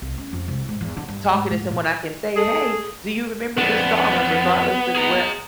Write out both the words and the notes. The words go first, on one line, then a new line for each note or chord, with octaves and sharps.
talking to someone, I can say, "Hey, do you remember this song?" And regardless of where
C2
C#4
F2
C2
G#2
E2
D3
G2
G#2
G#2
A#2
G#4 A4
F2 B3 D4
G#4 A#5